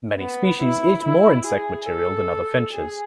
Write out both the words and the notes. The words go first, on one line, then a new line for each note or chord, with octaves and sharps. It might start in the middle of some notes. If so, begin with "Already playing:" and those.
Many species eat more insect material than other finches.
B3
E4
E4
G#4
A4
G#4